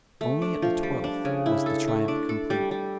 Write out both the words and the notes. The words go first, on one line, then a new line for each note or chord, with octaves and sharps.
Only at the twelfth was the triumph complete.
A3
D4
F3
G3
D4
C#3
E4
A4
A3
D4
A4
G3
G3